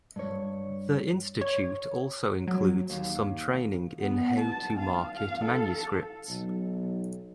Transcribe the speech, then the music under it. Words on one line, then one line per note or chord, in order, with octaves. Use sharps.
The institute also includes some training in how to market manuscripts.
G2 C#5
C#5
F#3
D#2
B3
A5
F5
F5
A4
B1